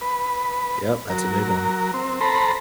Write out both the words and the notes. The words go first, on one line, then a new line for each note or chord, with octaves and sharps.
Yep, that's a big one.
B4
F#3 A#4
C4
A4 C5 A#5 B5